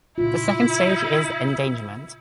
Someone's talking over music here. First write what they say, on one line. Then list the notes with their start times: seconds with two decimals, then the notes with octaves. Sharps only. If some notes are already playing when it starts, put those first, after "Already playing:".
The second stage is "endangerment".
0.18 A#2 C#3 E4 F4